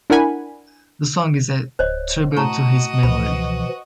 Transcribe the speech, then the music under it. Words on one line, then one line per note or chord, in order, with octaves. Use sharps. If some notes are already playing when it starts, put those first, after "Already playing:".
The song is a tribute to his memory.
D4 E4 A#4 F#5 G#5 B5
D1 C5 C#5 D#5
A2 F#4 D#5 A5 A#5 C#6
C#2 B2 E3 F3 B5